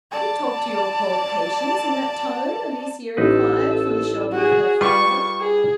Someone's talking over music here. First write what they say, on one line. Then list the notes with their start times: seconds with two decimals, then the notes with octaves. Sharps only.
"Do you talk to your poor patients in that tone?" Alicia inquired, from the shelter of her father.
0.12 D5 A5
3.17 A1 D#4 A4 B4
4.32 F#4 G#4
4.81 G3 F4 B4 C#6
5.40 G#4